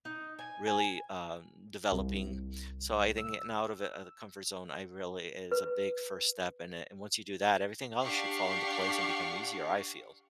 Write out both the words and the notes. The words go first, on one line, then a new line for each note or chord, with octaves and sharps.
really, um, developing, so I think getting out of it- the comfort zone- I really is a big first step; and it and once you do that, everything else should fall into place and become easier, I feel.
D#4
G#5
G#5
C2
E6
B4
D4 G4 F5 F#5 C#6 C7